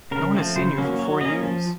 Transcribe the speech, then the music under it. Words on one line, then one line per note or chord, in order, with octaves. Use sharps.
No one has seen you for four years.
C#3 A#4
F3 A3 C4
C#3 C5
F#3 A#3 C#4
F#3 C#5
A#3 C#4 D#5
F3